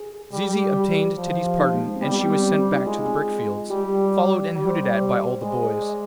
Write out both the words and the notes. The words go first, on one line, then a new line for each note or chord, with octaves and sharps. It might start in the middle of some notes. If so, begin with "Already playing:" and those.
Zizi obtained Titty's pardon, and she was sent back to the brick-fields, followed and hooted at by all the boys.
Already playing: G#4
G3
G4
F3
D#4
G#3
G#3
C4
G3 B3
B3
C4
C4
D#4
G#3 F4
G3 G4
G3
C5
D5
C5
G#3
D5
D#5